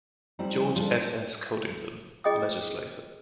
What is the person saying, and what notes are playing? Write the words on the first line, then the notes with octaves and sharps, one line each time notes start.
George S. S. Codington, legislator.
F3 G3 C4 D#4 E4
G3 D4 F4 A4
F4 G#4 D#5 G5 D6 D#6